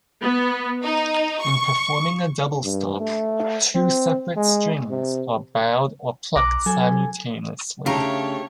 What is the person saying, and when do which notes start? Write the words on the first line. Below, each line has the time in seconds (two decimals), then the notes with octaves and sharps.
In performing a double stop, two separate strings are bowed or plucked simultaneously.
0.20 B3
0.83 D#4
1.41 C#6
2.63 G2
3.00 A3
3.75 C4
4.37 G#3
4.90 C3
6.36 B1 A#5 D6 F#6
6.66 F#3 A4 G#5
7.86 C#3 A3 D4 G4 C#5 F5 G5 A#5